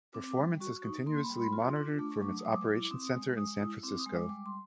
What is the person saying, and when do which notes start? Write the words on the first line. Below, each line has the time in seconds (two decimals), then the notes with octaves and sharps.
Performance is continuously monitored from its operations center in San Francisco.
0.14 C4 D6
0.37 G3
0.60 F#4 C#6
0.84 D#4
1.06 A#3 C6
1.24 B5
1.30 G3 C6
1.42 B5
1.53 F4 C6
1.76 D4
1.99 A3 D6
2.11 C#6
2.22 F#3 D6
2.39 D#6
2.45 G#3 D6
2.68 E4
2.85 D6
2.91 C4 D#6
3.14 G#3
3.37 G#3 D#6
3.60 E4
3.83 C4 D6
3.99 D#6
4.06 G#3
4.14 D6
4.29 G3 D6
4.46 C6